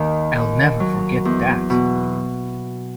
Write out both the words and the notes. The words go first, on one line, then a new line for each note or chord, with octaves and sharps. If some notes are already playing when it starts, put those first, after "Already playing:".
I'll never forget that.
Already playing: D#2 D#3
D#2
F#3
E2
B2